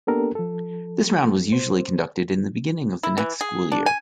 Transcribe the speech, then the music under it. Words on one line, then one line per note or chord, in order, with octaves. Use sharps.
This round was usually conducted in the beginning of the next school year.
A#3 B3 D4 G4 A4 A#4
F3 A4
C5
E4
E3
G#4
D4
G#5